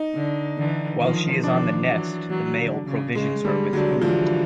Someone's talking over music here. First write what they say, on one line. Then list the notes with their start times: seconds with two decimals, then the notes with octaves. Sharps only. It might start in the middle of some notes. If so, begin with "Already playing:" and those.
While she is on the nest, the male provisions her with food.
Already playing: D#4
0.15 D3
0.57 D3 E3
1.01 D#3 F3
1.43 D#3 F3 D4
1.86 E3 F#3
2.30 E3 F#3
2.58 D3
2.87 C#3
3.15 C#3 G#3
3.44 D3 G3
3.73 D3 F#3
4.02 D3 E3 F3